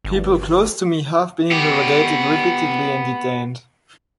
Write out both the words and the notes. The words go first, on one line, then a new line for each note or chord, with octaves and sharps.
People close to me have been interrogated repeatedly and detained.
G1
B3 G4